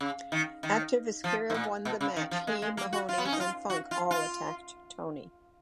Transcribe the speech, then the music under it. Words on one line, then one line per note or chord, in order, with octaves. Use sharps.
After Viscera won the match, he, Mahoney, and Funk all attacked Tony.
C#3
D#3
D#3
F3
G#2
A#2
B2
C#3
D#3
F3
G#3
G#3
A#3
F#4
F4
B3
C#4
D#4
F4
F#4
F4
F4